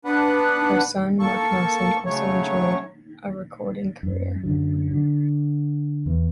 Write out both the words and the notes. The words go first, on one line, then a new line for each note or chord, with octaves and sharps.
Her son Marc Nelson also enjoyed a recording career.
B3 D4 B4 F#5
A#3 A4 C#6
C#3 F#3 A3 C#5
F#2
F#2 D3 F#3
D3
E2 B3